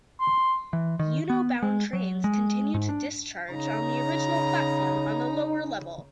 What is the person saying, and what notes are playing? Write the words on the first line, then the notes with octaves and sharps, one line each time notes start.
Ueno-bound trains continue to discharge on the original platform on the lower level.
C6
E3
D#3
B3
G#3
F#3
G#3
G#2
D4
C#3 D#4 A#5